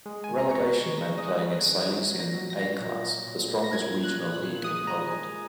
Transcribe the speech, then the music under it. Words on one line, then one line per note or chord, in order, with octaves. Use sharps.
Relegation meant playing in Silesian A-Class, the strongest regional league in Poland.
G#3
D#3 G#5
A#5
D#3 C#6
D#3
G#3 A#6
G#3 D#6
F#6
G#3
G#6
D#3
F#3
A#2
A#6
F#3
A#6
F#3
A#2
A#2
A#2
A#3
A#6
A#2 G#6
A#2 G#6
F#6
A#2
F#6
A#2
F#6
G#3 D#6
A#2 A#5
G#3 G#5